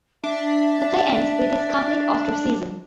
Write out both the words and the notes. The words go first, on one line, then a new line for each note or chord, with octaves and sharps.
The play ends with his complete ostracism.
D4 E5